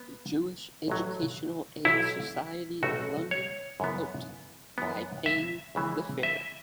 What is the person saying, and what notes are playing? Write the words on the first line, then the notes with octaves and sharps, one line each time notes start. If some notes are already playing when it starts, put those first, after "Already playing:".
The Jewish Educational Aid Society of London helped by paying the fare.
Already playing: B3
A1 A2 F#3
B1 B2 F#3 B3 E4
B1 A2 A3 F#4
C#5
F#2 C#3 E3 B3
F#2 E3 B3
E5
C#2 C#3 E3 B3
E5